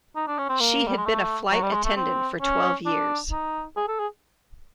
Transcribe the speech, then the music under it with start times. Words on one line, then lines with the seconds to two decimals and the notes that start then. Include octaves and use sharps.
She had been a flight attendant for twelve years.
0.16 D#4
0.27 D4
0.38 C#4
0.49 C4
0.60 A#3
0.88 G3
0.97 G#3
1.06 A3
1.51 F#3
1.62 G3
1.73 G#3
1.84 A3
1.97 C4
2.41 C#4
2.86 D4
3.32 D#4
3.77 G#4
3.88 A4
3.99 G#4